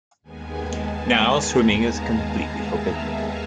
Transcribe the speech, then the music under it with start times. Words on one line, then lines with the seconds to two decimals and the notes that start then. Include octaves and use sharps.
Now swimming is completely forbidden.
0.23 D#2 D#3 G#3 B3 G#5
0.62 A5
1.01 A#5
1.79 F5
2.57 E5